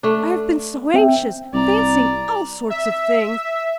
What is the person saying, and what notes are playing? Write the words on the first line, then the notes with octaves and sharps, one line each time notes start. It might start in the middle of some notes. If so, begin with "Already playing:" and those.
I have been so anxious, fancying all sorts of things.
A3 D4
C4 E5 G5
C2 D5 A#5
E5